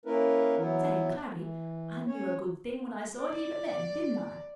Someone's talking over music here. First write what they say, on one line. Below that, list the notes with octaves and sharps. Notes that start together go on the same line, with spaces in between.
"Say, Cloudy, I knew a good thing when I saw it even then, didn't I?"
A#3 C#4 E4 A#4 B4
E3 F#3 B3 E4
E3
C#4 C#5
D5